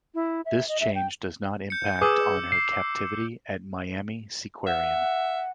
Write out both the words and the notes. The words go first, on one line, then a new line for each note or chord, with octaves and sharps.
This change does not impact on her captivity at Miami Seaquarium.
E4
E5
D#5
E5
G5
G6 C#7
G#4 B4 D6 E6
C7
E5 F#5